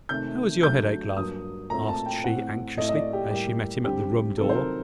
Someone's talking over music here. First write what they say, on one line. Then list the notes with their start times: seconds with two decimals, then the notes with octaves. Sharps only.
"How is your headache, love?" asked she anxiously, as she met him at the room door.
0.09 C3 D#3 A3 G6
0.63 D3 F#3 A3 G6
1.17 G2 F#3 A#3 D#6
1.70 A#2 A3 C4 A#5
1.89 A5
2.06 G5
2.24 A2 A3 C4 F#5
2.78 A2 A3 C4 D#5
2.89 D#5
2.96 D5
3.13 G4
3.30 A2 G3 A#3 G4
3.84 D3 G3 C4 G4
4.38 C3 D#3 F#3 C4 A4
4.50 C5
4.55 A#4